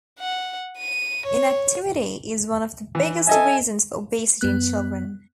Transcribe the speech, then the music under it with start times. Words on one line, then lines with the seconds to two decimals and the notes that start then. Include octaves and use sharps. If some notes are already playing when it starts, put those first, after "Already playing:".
Inactivity is one of the biggest reasons for obesity in children.
0.19 F#5
0.78 D#7
1.27 C#5
2.95 E3
3.27 A4 D#5 E5 G#5
4.41 F#2 B3 F#6